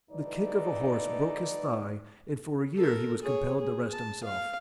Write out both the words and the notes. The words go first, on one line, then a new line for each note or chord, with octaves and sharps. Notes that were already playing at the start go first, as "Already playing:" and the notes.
The kick of a horse broke his thigh, and for a year he was compelled to rest himself.
D2 G2 E3 D#4 D5
A4 A#4
G#4 C#5
G#4
A5
F5